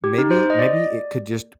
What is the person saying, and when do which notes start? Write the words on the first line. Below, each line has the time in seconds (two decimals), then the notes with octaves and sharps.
maybe maybe it could just
0.04 G4
0.18 D#4
0.31 C5
0.50 D#5
0.59 D5